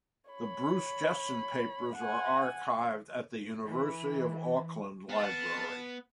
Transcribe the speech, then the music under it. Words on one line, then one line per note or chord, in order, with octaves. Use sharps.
The Bruce Jesson papers are archived at the University of Auckland Library.
C#5 B5
F#5 G#5
E3
B3 F5 A5